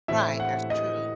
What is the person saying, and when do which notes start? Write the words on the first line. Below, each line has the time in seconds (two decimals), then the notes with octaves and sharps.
Right, that's true.
0.08 A2 E3 A3 C4 E4 E5
0.40 F#5
0.70 D#5